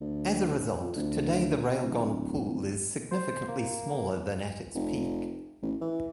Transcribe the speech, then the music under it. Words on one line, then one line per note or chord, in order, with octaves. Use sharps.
As a result, today the Railgon pool is significantly smaller than at its peak.
D2
F2
D2
D1
C5
A#3
F1
A1
E3